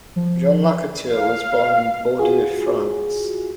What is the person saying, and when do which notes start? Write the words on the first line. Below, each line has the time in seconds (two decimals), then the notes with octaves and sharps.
Jean Lacouture was born in Bordeaux, France.
0.16 F3
1.12 F5
2.19 F4 F#4 G#4